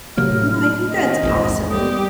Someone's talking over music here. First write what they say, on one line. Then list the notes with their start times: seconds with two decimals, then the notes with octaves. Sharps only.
Well, I think that's awesome.
0.17 A2 C3 F#3 A#3 F6
0.50 F6
0.88 D#3 C4 D#5
1.23 A#1 E2 G#2
1.69 G3 G4 D#6